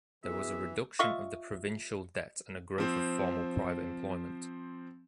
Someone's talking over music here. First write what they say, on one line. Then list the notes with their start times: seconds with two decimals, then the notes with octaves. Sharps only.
There was a reduction of the provincial debt and a growth of formal private employment.
0.24 B2 E3 G#4 E5
0.99 F4 D#5 E5 C#6
2.78 F3 C4